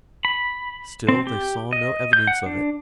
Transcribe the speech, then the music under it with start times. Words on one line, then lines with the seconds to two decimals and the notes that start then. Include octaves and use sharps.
Still they saw no evidence of it.
0.25 B5
1.08 C4
1.27 G4
1.73 D#5
2.13 G6
2.27 F#5
2.46 D4